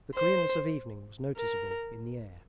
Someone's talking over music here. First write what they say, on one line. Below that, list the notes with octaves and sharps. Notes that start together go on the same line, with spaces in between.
The clearness of evening was noticeable in the air.
C5
A#4